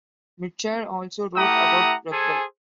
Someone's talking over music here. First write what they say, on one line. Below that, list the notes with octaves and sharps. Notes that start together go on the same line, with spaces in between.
Mitchell also wrote about rugby.
A3 E4 G4 F#5 A#5 D#6
G#4 A4 C5 G#5